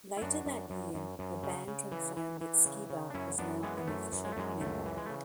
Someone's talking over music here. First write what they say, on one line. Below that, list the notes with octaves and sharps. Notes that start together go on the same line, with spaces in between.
Later that year, the band confirmed that Skiba was now an official member.
E4
F#2 D4 F#4
F#2
F#2
F#2
F#2
C#3
C#3
E3
E3
E3
C#3
C#3
D4
F#2 C#4 E4
F#2 B3 D4
E3 G#3 B3
B3
F#2 A3
F#2
G#3
A3
F#2 G#3
C#2 A3
E3
G#3
C#3 A3